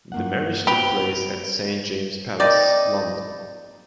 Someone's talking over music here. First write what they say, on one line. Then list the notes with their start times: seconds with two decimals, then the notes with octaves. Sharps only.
The marriage took place at Saint James's Palace, London.
0.12 G2 A#3 F#5
0.67 B3 C4 G4 B4 D7 F7 G7
2.40 A#3 C4 D#4 D5